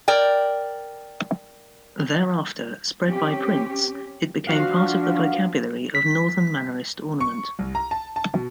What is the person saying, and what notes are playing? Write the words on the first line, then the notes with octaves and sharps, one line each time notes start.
Thereafter, spread by prints, it became part of the vocabulary of Northern Mannerist ornament.
A#4 D5 G5
C4 C#4 G4
F3 D4 F#4 F5
B6
C#6
C2
A#5
A5
A5
B2